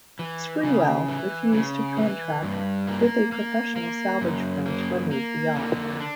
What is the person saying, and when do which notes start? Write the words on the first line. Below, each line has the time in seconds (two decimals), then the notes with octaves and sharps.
Sprewell refused to contract with a professional salvage firm to remove the yacht.
0.19 E3
0.63 C#3
1.08 E3
1.53 C#3
1.97 E3
2.43 G2
2.87 A#3
3.32 A#3
3.76 A#3
4.21 F#2
4.65 A#3
5.11 A#3
5.55 D3
6.00 D4